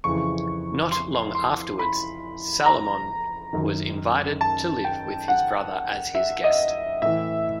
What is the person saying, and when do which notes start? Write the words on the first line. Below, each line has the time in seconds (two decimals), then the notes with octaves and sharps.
Not long afterwards, Salomon was invited to live with his brother as his guest.
0.04 F2 C#3 E3 C#6
0.92 C6
1.35 C6
1.79 B5
2.66 A#5
3.53 F#2 D#3
4.41 A5
4.84 G5
5.28 F#5
6.15 E5
6.44 D#5
7.02 A2 E3 E5